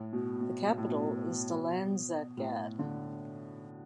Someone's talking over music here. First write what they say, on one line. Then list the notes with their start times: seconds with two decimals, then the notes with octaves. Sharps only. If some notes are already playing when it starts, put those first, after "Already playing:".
The capital is Dalanzadgad.
Already playing: A2
0.13 B2
0.41 B2
0.69 B2
0.78 A2
0.87 B2
2.37 A2
2.79 D3